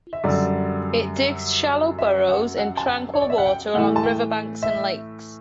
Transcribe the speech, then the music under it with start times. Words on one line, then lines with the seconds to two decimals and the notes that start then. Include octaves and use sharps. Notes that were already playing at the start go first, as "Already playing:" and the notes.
It digs shallow burrows in tranquil water along river banks and lakes.
0.13 E5
0.24 F#2 D3 G3 D5
1.99 E5
2.29 F#5
2.58 F#5
2.77 A5
2.87 G5
3.14 C#5
3.22 D5
3.30 E5
3.38 F#5
3.46 G5
3.74 A2 E3 A3 F#5
3.96 A5
4.03 G5
4.63 E5